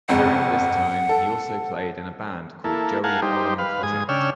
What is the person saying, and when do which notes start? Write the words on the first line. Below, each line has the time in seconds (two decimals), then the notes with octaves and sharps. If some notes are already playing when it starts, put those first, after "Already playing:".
During this time, he also played in a band called Joey Allen Project.
0.09 G1 F2 G#3 F#5
1.09 A4
2.64 A#3 E4 A4
3.04 A#4 F5 F#5 G#5 A5
3.22 G3 D#4 G4 C5
3.58 B4 F5
3.83 G#2 G#5 D#6
4.09 C#3 D4 C#5 G5 E6 F6